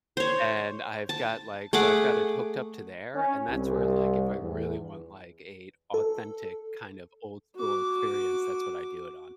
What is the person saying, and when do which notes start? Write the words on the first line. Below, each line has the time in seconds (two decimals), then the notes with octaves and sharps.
and I've got, like so I've got it hooked up to there, and that's where, like, if I really want, like, a authentic kind of old school experience, that's what I do it on.
0.17 C5 C#5
1.09 A5
1.73 A3 G#4 F#5 D6
3.15 C#4
3.49 C2
4.42 E2
5.94 A4
7.56 F#4 D6